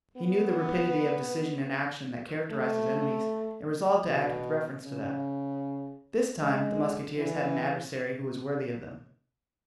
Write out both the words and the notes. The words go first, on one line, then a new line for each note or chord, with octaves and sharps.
He knew the rapidity of decision and action that characterized his enemies and resolved to act with reference to that. This time the musketeers had an adversary who was worthy of them.
B3
A3
B2
C#3
G#3
E3